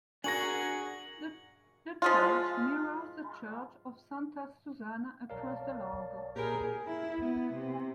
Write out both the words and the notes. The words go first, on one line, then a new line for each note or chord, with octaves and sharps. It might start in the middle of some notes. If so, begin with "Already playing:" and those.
The church mirrors the Church of Santa Susanna across the Largo.
D4 F#4 G#4 A#4 G#5 C#6 A#6 F#7
F3 G#3 F4
B1 A#4 C#5 D5 F5 A5
A#2 A#3 E4 G4 G#4 A#4
E4
B3
C3